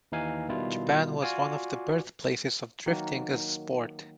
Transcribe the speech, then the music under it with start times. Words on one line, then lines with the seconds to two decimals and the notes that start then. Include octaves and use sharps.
Japan was one of the birthplaces of drifting as a sport.
0.12 D#2 E3 D#4 F5 G#5
0.49 B2 D#3 G3 E4 F4
1.22 F4 F#4 D5 F5 G#5 D6
2.86 D#3 F#3 A#3